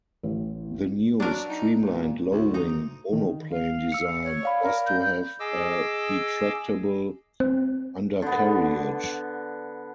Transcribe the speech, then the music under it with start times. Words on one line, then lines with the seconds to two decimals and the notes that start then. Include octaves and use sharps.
The new streamlined low-wing monoplane design was to have a retractable undercarriage.
0.23 A1
1.20 F#3 D4 A#4
1.50 D#4
1.84 A#2
2.32 D2
2.54 D#4 A#5
3.13 D#3
3.50 F5
3.92 E6 C#7
4.23 C#5
4.43 D5 F5 B5
4.62 A#4
4.86 G6
5.40 G#4 D#5 D6 E6
7.40 C4
8.22 D3 B3